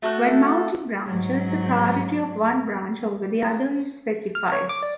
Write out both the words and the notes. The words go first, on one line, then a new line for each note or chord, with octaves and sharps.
When mounting branches, the priority of one branch over the other is specified.
A3 F#4 A4 F#6
G#2 F#3
F6
C#5
D6
D5